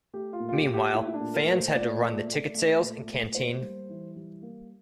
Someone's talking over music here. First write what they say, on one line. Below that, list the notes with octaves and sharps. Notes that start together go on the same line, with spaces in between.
Meanwhile fans had to run the ticket sales and canteen.
A3 G4
F4
A#2
F4
G4
A#2
G4
A3 E4
E4
D4
A#2
A#4
A3
C5
A#2 D5
A3
A3
A3
A#2
A3
A#3 C5
G3
E3
G3
A#3